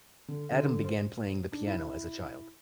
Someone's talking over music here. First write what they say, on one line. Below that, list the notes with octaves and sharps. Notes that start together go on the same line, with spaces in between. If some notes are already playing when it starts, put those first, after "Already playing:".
Adam began playing the piano as a child.
D3
D3
C5
D4
E4